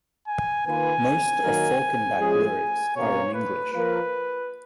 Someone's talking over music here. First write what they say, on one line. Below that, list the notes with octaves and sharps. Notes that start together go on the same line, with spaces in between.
Most of "Falkenbach" lyrics are in English.
G#5
D#3 A#3 F4 B4 G#5
D#3 F#3 A#3 D#4 A#4
F3 G#3 C#4 G#4
B2 A#3 C#4 C#5
B4
F3 A#3 F4 A#4 B4